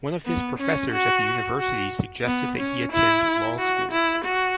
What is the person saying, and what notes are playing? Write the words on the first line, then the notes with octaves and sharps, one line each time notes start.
One of his professors at the university suggested that he attend law school.
B3
C#4
F#4
F#4
B3
C#4
E4
F#4
E4
F#4